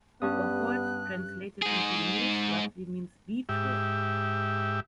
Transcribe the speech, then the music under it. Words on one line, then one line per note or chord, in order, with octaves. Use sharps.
Bocholt translated into English roughly means "beechwood".
G2 B3 C#4 G4 A5 D#6 F#6
G#2 G#4
G#2 G4 E5